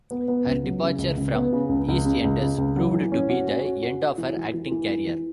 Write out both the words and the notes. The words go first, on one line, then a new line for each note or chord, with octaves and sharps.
Her departure from "EastEnders" proved to be the end of her acting career.
B3
B3
C#2
F#3
C#3
C#2
C#2
B3
C#3
C#2
C#2
C#3
C#2
C#3
C#2
F#3
E3
C#4
F#4
C#4
F#4
F#4
F#4
E3
E3
E3
E3
E3
E3